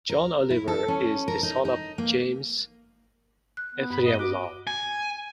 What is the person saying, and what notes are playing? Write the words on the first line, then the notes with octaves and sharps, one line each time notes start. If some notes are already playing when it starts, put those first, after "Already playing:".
John Oliver is the son of James Ephriam Law.
A#4
E4
A4
C#4
A#4
D#4
D#4
A#3
F#6
B3
G2 B5
D#5
F#4 D6
G#5